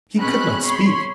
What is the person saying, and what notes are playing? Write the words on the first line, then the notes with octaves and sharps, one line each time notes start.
He could not speak.
B2 G#3 C4 C#4 B5 F#6
C#5 B5 C6